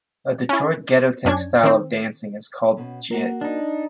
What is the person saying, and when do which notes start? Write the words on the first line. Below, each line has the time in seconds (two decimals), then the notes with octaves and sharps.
A Detroit ghettotech style of dancing is called the jit.
0.49 C#4 E4
1.25 F#2 C#4 D4 G#6
1.63 D#3 C4
2.77 B2 C#4
3.11 A#3 F#4 A#4
3.41 D4 D#4